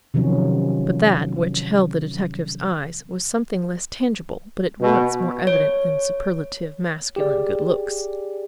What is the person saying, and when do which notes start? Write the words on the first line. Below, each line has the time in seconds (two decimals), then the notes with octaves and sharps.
But that which held the detective's eyes was something less tangible but at once more evident than superlative masculine good looks.
0.14 C3 D#3 F3 F#3 C#4
4.81 B2
5.47 C#5
7.16 G4 G#4 D5